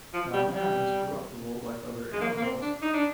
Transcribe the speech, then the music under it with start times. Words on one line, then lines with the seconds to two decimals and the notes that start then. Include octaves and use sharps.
Now man is corruptible like other animals.
0.13 F3
0.34 G3
0.55 G3
2.12 G#3
2.21 A#3
2.37 A#3
2.42 C4
2.62 D4
2.83 D#4
2.94 D4